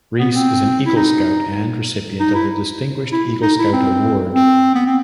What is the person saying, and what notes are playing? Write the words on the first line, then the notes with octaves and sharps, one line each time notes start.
Reece is an Eagle Scout and recipient of the Distinguished Eagle Scout Award.
B3
C4
E4
D#4
D#4
E4
E4
D#4
E4
C4
C4
B3
C4